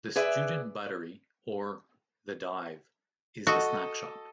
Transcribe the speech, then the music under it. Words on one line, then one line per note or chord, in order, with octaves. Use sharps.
The student buttery, or "The Dive", is the snack shop.
G#4 B4 D5 E5
F#4 A4 D#5